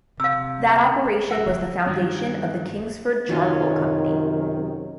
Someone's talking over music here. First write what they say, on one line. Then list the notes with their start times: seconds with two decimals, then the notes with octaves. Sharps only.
That operation was the foundation of the Kingsford Charcoal company.
0.20 C3 F5 E6
1.31 F#4 E5 F#5
1.86 G2 D#3 F#3 C#4
3.29 F#2 C3 D#3 F#3 C#4 F4